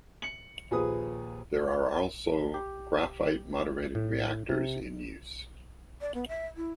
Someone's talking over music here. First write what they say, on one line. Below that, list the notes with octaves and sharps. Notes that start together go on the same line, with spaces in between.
There are also Graphite moderated reactors in use.
C#7 F#7
D#2 A#2 F3 G#4 B4 D#6
G4
A2
C3
D5
B3
E5
E4